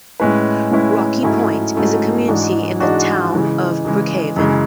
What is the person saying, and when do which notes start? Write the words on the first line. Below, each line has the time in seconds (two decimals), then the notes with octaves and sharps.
Rocky Point is a community in the Town of Brookhaven.
0.20 A2 G#3 C#4 E4 B4
0.71 A2 G#3 C#4 E4 B4
1.23 G#2 F#3 A3 C#4 E4
1.75 G#2 F#3 A3 C#4 E4
2.28 G#2 E3 G#3 D4 F#4
2.80 G#2 E3 G#3 D4 F#4
3.32 C#3 E3 G#3
3.85 C#3 E3 G#3
4.36 F#2 C#3 E3 G#3